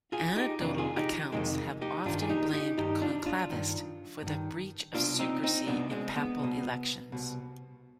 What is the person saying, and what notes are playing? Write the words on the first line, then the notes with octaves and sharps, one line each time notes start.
Anecdotal accounts have often blamed conclavists for the breach of secrecy in papal elections.
F4 G#4
D#4 G4
F2 C3 D#3 D4 F4
F4 G#4
D#4 G4
F2 C3 D#3 G#3
D#4 G4
G2 D#3 D4 F4
G#4
D#4 G4
D#4 G4
G2 D#3 D#4 G4
D4 F4
D4 F4
G2 D#3
G2 D#3
C2 B2 D4 F4
C4 D#4
C4 D#4
C2 B2 B3 D4
G#3 C4
B3
C2 B2
C2 B2